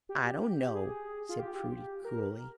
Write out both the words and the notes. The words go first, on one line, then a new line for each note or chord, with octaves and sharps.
"I don't know," said Prudy, coolly.
G4
G4
G#4
F4
G4
A#4